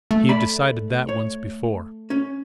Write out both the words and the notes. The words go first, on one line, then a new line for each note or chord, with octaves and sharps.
He had decided that once before!
A3
D5 E5 B5
C#5
C#4